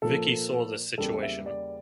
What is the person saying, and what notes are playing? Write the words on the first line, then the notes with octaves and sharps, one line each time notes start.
Vicky saw this situation.
A#2 F3 A#3 A4
E2 C#3 G3 A#3 A4
E5
D5